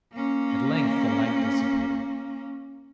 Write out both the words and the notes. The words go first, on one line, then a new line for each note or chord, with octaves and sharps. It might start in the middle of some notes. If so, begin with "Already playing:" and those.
At length the light disappeared.
A#3 C#4